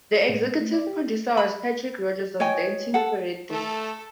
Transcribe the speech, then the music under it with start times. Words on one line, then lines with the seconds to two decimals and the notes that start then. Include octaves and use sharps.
The executive producer was Patrick Rodgers of Dancing Ferret Discs.
0.15 G#4
0.29 A2
0.44 B3
0.60 A3
0.73 D5
0.87 G4
1.37 B5
2.40 C#5 D#5 G5 G#5
2.94 A4 F#5
3.51 A3 A4